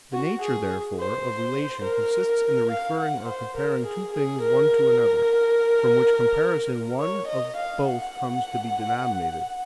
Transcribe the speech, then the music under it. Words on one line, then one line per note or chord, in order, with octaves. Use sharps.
The nature therefore of relation consists in the referring or comparing two things one to another; from which comparison one of both comes to be denominated.
F#4
G#4
C5
A#4
F5
F#5
C5
A#4
G#4
G#4
A#4
C#5
D#5
F5
F#5